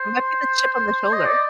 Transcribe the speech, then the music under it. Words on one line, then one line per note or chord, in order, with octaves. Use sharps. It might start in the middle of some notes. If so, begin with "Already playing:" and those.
It might be the chip on the shoulder.
Already playing: C5
D#5
D5